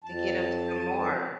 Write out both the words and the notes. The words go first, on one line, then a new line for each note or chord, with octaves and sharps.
to get 'em some more.
F2 A5